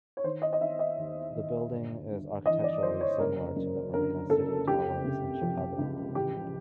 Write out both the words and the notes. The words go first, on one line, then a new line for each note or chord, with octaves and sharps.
The building is architecturally similar to the Marina City towers in Chicago.
C#5
D#3 C5
D#5
D#5
D#3 E5
D#5
D#2
D#2
G1
G2
E3 D#5
D5
G1 C5
C#5
F#1 A#4
F#2
D3 A#4
F#1 A4
C#2 G4
C3
F3
C#2
A1 G4